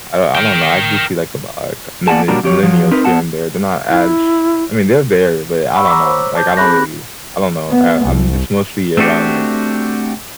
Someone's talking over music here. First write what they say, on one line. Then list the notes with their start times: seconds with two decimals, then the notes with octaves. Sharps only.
I I don't know, I do see, like, um, uh, c millenn millennials, here and there, they're not as I mean, they're there, but I don't know, like, I don't really, I don't know, I I'm just mostly around, like,
0.35 A#4 G5
2.08 A#3 D5 D#5 F#5 G#5 A5
2.28 A#2 F#3 G3 D4 F#4 A#4
2.43 F2 G4 C#5
2.63 F3 F#3
2.91 C4 D#4 A#4 B4
3.05 B3 F#5 A5
3.90 E4
5.75 F#5 B5 C#6 E6
5.88 A#5 D6 E6 B6
6.03 C5 C#5
6.35 A5 D6 G6
6.57 C4 G#4 B5 F#6 A#6
7.69 B3
8.06 C2
8.97 A3 C4 D4 F#4 G4